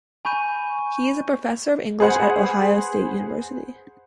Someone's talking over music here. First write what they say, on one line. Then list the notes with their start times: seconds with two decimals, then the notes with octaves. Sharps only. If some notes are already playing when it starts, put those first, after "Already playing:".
He is professor of English at Idaho State University.
0.25 G#5 B5 C#6 G6 D#7
2.00 G#4 B4 C5 F#5